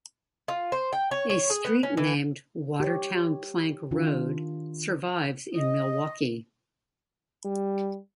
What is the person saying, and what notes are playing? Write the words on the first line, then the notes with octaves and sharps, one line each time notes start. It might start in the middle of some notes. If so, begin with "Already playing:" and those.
A street named "Watertown Plank Road" survives in Milwaukee.
F4
C5
G5
C#5
C#5
G#4
B3
C#4
E3
G4 C#5
D#3 D4 F4
D#5
G3